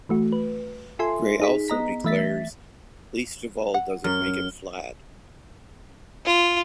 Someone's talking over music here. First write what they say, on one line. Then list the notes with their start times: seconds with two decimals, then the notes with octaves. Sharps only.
Gray also declares, "least of all does it make it flat".
0.09 E3 A3 F#4
0.32 B4
0.99 F4 A4 E5 G#5 C6
1.40 D#4 G#4 B6
1.68 B3 D#5 A#5 B6
2.04 E3 A3 E5 A6 B6
3.74 F#5
4.04 F#2 F6
6.25 F4